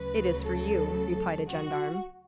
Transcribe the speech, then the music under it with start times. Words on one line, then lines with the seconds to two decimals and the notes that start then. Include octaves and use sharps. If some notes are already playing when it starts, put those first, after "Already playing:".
"It is for you," replied a gendarme.
Already playing: D2 C#3 F#3 B4
0.42 A4
1.47 F#4